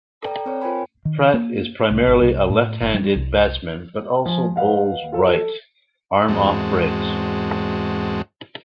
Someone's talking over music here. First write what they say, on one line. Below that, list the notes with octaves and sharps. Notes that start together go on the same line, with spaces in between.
Pratt is primarily a left-handed batsman but also bowls right-arm off breaks.
A4 B4 D5 G5 A#5
C4 B4 C#5
F4 A#4 C5 G5 G#5 B5
D#3
A#3
C2
G#1
C2
A2
G1
G3
C2
F3 G#5
B4 D#5 F5 F#5
F4 A4 C5
A4
E2 G#2 G#3 C4 F#4 A5